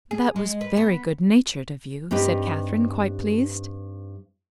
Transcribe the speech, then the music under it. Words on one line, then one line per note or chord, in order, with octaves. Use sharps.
"That was very good-natured of you," said Catherine, quite pleased.
G#4
G#3
B4
B3
G2 C4 D#4 G4 B4